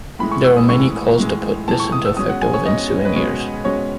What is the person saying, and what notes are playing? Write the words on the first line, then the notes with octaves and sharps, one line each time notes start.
There were many calls to put this into effect over the ensuing years.
A2 E3 G#3 B5
C#6
E6
D#6
A2 E3 G#3 C#6
A2 E3 G#3
A2 E3 G#3 A5
C#6
D#6
E6
B2 G#3 C#4 D#6
F#5
G#5
C#5
B2 G#3 C#4 D#5
B4
B2 G#3 C#4 C#5
B2 G#3 C#4 C#5